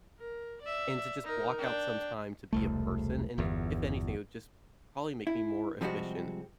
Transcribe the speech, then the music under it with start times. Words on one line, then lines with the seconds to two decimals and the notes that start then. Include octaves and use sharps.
and to just block out some time to be a person, and it, if anything, it would just probably make me more efficient
0.19 A#4
0.63 D5 E5
1.25 D#4 A#4
1.59 D4 G5
2.53 E1 C2 A3
3.38 G1 E2
5.27 E4
5.81 C3 F3 G3 G#3 C4 F#4